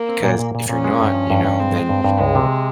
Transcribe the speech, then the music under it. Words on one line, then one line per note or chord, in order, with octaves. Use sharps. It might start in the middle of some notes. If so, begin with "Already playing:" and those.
'cause if you're not, you know, then
Already playing: A#3
C4
A#2
A#2
A#2
A#2 C#4
G#3
G2
F3
G2
G2
G#3 C4
G#3
G2
G2
C#2 G#3
C3